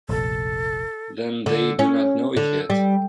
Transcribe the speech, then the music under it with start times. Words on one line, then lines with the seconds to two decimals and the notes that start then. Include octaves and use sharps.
Then they do not know it yet?
0.09 F1 A#1 A4
1.46 D3
1.79 C#4
2.36 D3
2.70 G3